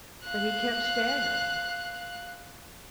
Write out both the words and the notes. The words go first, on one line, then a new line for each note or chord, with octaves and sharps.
But he kept staggerin'.
F5 F#6